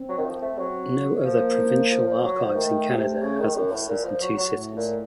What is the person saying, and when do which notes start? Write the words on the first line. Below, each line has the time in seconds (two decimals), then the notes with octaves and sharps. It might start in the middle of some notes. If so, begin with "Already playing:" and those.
No other provincial archives in Canada has offices in two cities.
Already playing: C4
0.09 F#3
0.18 D#3
0.25 F3
0.42 A3
0.58 F#3
1.24 F3 A#3
1.90 F3
2.07 F3
2.23 F#3
2.40 F3
2.56 D#3 A3
2.89 C3
3.22 C#3
3.39 D#3
3.55 F#2
3.72 A2
3.89 A#2
4.04 F3
4.21 F#3
4.38 F#3
4.54 A2
4.76 A#2